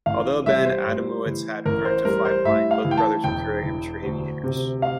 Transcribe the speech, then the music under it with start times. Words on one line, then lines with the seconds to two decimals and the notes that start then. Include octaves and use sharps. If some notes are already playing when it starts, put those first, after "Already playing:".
Although Ben Adamowicz had learned to fly blind, both brothers were purely amateur aviators.
0.06 A1 F5
0.46 G3 E5
0.66 C5
0.86 A2
1.26 E3
1.65 A1 A#4
1.85 C5
2.05 G3 A#4
2.25 C5
2.45 A2 E5
2.71 F5
2.85 E3
2.91 G5
2.97 A5
3.24 E1 G5
3.63 E3
4.03 D2
4.44 C3
4.82 F5